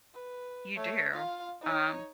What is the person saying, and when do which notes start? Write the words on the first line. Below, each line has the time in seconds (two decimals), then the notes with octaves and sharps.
You do, um
0.14 B4
0.76 A3 C#5
1.12 F4 F5
1.61 D#4 C#5